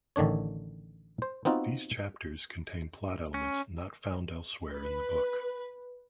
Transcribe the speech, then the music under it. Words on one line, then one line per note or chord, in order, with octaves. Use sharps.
These chapters contain plot elements not found elsewhere in the book.
A1 D3 D#3 D4 C#5
C5
B3 C4 D#4 F4 F#4
C#4
B4